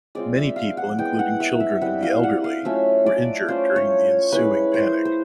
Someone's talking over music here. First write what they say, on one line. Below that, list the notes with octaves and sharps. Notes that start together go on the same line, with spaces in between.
Many people, including children and the elderly, were injured during the ensuing panic.
G#3 C4 F4 D5
E5
F5
F#5
G#3 B3 E4 G5
F#5
E5
E5
G3 C4 E4 F#5
F5
F#5
F5
F#3 A3 C#4 F4 E5
D5
A3 C#4 F4 C5
C#5
G#3 C#4 E4 B4
C5
C5